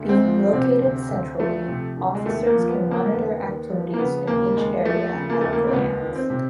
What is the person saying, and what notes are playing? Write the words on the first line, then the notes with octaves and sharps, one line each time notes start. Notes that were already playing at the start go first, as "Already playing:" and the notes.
Being located centrally, officers can monitor activities in each area at a glance.
Already playing: D2
C4
F3
C3 C4
D2
D2
F3 A3
C3
D2
G#3
D#2 A3
A#3
F3
B3
C#3
A#3
D#2 B3
D#2
F3
A#3
C#3 B3
D#2 A#3
D#2 G#3
F3 A3
C#3
A#3
D#2 A3
A#3
C4
C#2 B3
D#3
C4
C3